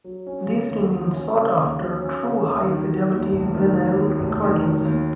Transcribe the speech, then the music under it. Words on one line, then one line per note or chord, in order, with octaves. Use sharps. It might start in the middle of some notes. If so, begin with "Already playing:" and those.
These remain sought-after true high fidelity vinyl recordings.
F#3
C#4
C#3
D#2
F#3
C#4
C#3
D#2
F#3
C#4
C#3
D#2
D#3
F#3
D#2
F1
D#3
F#3
D#2
F1
D#3
F#3
D#2